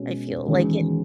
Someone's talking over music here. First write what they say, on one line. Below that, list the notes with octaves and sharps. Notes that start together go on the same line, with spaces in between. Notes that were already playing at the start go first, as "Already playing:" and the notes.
I feel. Like, it
Already playing: B2 G#3 C#4
E2 D#3 G#3 C#4 F#4